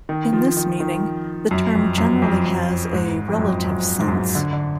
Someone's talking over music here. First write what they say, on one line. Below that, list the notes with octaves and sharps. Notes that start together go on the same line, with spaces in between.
In this meaning, the term generally has a relative sense.
D#3
F3
D#3
D#3
F#2
F2
F#2
F2
F#2
G#2
F2
F#2
F2
F#2
G#2
F#2
G#2
D3
D3